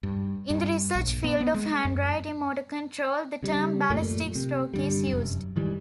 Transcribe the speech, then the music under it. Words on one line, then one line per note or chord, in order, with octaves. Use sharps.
In the research field of handwriting motor control, the term ballistic stroke is used.
G2
G2
A#1
B3
B3
G#3
F#2
C#3 G3
A1 F#2 A#2 A3
C3
G2 D3 G3
F1 F#2
G#2 D#3 E3 G3